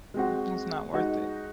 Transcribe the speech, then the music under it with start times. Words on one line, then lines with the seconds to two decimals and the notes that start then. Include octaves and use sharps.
No, it's not worth it.
0.14 G#3 C4 F#4
0.93 G#3 D#4 F#4